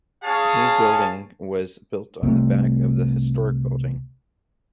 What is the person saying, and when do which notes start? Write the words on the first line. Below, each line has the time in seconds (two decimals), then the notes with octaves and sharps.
The new building was built on the back of the historic building.
0.24 C#4 G#4 C#5 F5 A5
2.23 C2 C3 A3